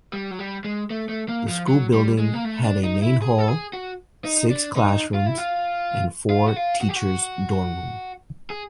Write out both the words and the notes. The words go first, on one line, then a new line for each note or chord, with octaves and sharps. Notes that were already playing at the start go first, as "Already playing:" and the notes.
The school building had a main hall, six classrooms and four teachers dorm room.
G3
F#3
G3
G#3
A3
A3
A#3
F3
F#3
G3
G#3
A#3
A3
D4
D#4
E4
G#4
A4
G#4
F#4
D#4
D4
D#4
F4
E4
F4
F4
F#4
F4
F#4
G4
F#4
G#4